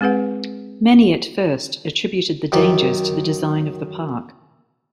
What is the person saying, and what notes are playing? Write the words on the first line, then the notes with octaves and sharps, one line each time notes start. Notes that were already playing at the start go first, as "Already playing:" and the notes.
Many at first attributed the dangers to the design of the park.
G#3 C4 G#4 B4 F#5
F#2 D#3 G4